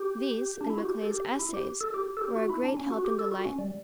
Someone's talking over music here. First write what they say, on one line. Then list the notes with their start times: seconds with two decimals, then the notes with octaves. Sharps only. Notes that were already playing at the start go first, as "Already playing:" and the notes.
These, and Macaulay's "Essays," were a great help and delight.
Already playing: G4
0.61 D4
0.70 E4
0.78 F#4
0.85 G4
1.01 A4
1.12 G4
1.39 E4
1.54 G4
1.81 A4
1.94 G4
2.17 A4
2.21 G4
2.35 F#4
2.50 E4
2.63 D4
2.77 C#4
2.91 F#4
3.05 G4
3.19 A4
3.32 F#4
3.46 C#4
3.59 G3